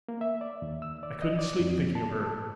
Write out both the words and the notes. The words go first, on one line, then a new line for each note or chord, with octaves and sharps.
I couldn't sleep thinking of her.
A#3
E5
D5
D#2
E6
D5
D#5
D5
F2
A5
A4